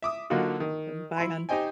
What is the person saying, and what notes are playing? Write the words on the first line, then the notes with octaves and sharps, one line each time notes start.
Um, bye, hon.
E5 D6 D#6
D3 F#3 A#3 D#4 F4 F#4
D#3
E4 C6
D#4 G4 C5 D#5 G5 G#5